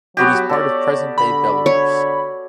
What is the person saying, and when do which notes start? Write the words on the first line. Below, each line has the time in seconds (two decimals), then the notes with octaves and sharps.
It is part of present-day Belarus.
0.17 F#3 B3 F#4 G4
0.49 A4 C#5 D5
1.18 D3 B5
1.66 C#5